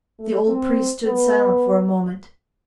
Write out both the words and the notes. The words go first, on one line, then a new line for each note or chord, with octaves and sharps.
The old priest stood silent for a moment.
A3
C4
B3